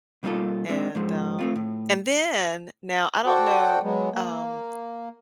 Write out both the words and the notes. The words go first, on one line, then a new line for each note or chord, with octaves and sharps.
and, um and then now I don't know, um,
B2 G3 A#3 D#4 F4 A4
G#3 C4 D4
G#2 F3 G#3
A3 C4 F4
A2
F#4 A4 C5 D5 F#5 G5
F#3 G#3 B3
A#3